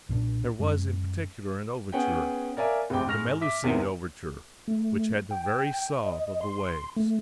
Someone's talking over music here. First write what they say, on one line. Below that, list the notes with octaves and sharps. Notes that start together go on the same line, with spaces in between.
There was in particular an overture--the Melusine overture--which had the very sob of the waves.
B1 A#2 F#3 D4
F#2 G#3 C#4
B3 C#4 G#4 F#5 G5
A#4 C#5 D5 E5 F5 G#5
F1 C2 G#3 C4 G5 D6
G#2 G#3 C#6 F6 A#6 F7
E5 D6 B6
E2 C3 D#3 E3 C4
A3
G5
D#5
C6
A3